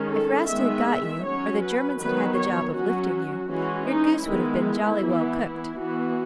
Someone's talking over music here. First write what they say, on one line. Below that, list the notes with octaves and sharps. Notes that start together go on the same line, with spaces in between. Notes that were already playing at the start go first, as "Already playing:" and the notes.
If Rasta had got you, or the Germans had had the job of lifting you, your goose would have been jolly well cooked.
Already playing: D#3 G#3 C#4
A4
D#3 G#3 B3 E5
F#3 C#4 C#5
B4
D#3 F#3 B3 B4
C#5
F#3 C#4 F#4
E3 G#3 C#4 F#4
D#4
D#3 G#3 B3 E4
E3 B3
E3 F#4
B3